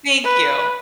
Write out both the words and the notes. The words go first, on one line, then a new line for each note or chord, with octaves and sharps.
Thank you.
B4